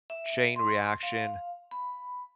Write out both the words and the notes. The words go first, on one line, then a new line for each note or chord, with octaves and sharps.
chain reaction.
E5
C6
F5
B5